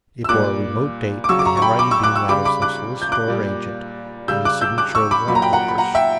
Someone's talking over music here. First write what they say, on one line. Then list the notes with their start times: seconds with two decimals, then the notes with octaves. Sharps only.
It bore a remote date, the handwriting being that of some solicitor or agent, and the signature the landholder's.
0.24 E6
0.29 A#2 G3 D6 F#6
1.24 D6
1.29 C#3 F#3 C#6 E6
1.39 D6
1.45 A#5 C#6
1.57 C#6
1.62 G5 B5
1.79 B5 D6
1.91 C#6 E6
2.03 D6 F#6
2.16 C#6 E6
2.29 C#3 G3 B5 D6
2.45 B5 D6
2.62 D6 F#6
3.02 G6
3.12 D6 F#6
3.28 A#2 G3
4.28 C#3 G3 E6 G6
4.45 D6 F#6
4.61 E6 G6
4.78 D6 F#6
4.95 C#6 E6
5.11 B5 D6
5.28 A#2 F#3 B5
5.35 A#5
5.42 G5 B5
5.53 F#5 A#5
5.68 B5
5.78 F#5 A#5
5.95 E5 G5